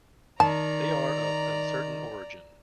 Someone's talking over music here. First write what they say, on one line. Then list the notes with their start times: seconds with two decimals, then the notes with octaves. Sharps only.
They are of uncertain origin.
0.40 D#3 D5 A5 A#5